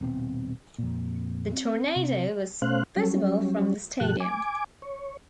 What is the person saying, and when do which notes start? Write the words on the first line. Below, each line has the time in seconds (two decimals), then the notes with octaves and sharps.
The tornado was visible from the stadium.
0.01 D#1 B2 C4
0.78 F2 A#2
1.53 C4
1.96 C3
2.62 B2 A3 C#4 C5 F5 F#6
2.96 F#3 G3 C#4
4.00 G2 B2 F3 G4 A4 F#6
4.20 G#5 D6
4.82 C#5